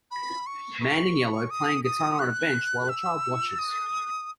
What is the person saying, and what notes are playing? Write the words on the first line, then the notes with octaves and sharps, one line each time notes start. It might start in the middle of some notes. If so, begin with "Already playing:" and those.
Man in yellow playing guitar on a bench while a child watches.
B5
C#6
C#6
D#6
D#6
F#6
E6
D#6